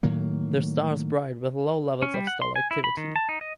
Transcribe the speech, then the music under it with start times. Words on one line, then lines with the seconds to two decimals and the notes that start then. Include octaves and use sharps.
The star is bright with low levels of stellar activity.
0.03 A2 D#3 F#3 A#3
2.02 C#4
2.14 G3
2.27 F#5
2.42 C6
2.56 G#5
2.71 E4
2.84 B5
2.97 D#3
3.16 A5
3.29 D#4
3.41 D#5